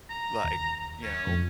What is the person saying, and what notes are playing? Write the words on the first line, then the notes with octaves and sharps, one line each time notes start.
like, you know,
A#5
D#2
C#4
F2